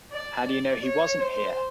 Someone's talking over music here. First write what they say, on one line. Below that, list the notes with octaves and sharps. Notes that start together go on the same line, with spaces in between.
How do you know he wasn't here?
D5
D5
C#5
C5